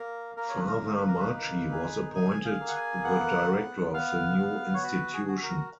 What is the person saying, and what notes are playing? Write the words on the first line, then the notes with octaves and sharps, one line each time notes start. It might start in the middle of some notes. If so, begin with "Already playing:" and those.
Father Marchi was appointed the director of the new institution.
Already playing: A#3 A#4
A#3 A#4
C#5
B4
A#4
A#3
B4
A#4
B4
D#4
G#4
G#4 G#5
F5
A#3
F#5
G#5
B3 F#5
B3
B3 F5
B3
C#5
F#4 B4
G#4
F#4
A#4